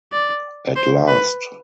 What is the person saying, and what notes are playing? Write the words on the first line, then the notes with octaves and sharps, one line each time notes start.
At last!
D5
C5
B4